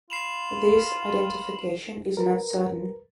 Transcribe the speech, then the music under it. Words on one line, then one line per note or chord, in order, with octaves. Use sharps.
This identification is not certain.
F4 B5 C7 E7 F7
A#4 B4